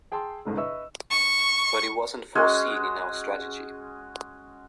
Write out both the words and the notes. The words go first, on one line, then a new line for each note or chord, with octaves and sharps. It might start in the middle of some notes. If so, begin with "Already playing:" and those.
But it wasn’t foreseen in our strategy.
G#4 G5 A5 C6 E6
G1 C2 G#2 D3
B4 D#5 E5 C#6 E6
C#6
G#3 C#4 F#4 G#5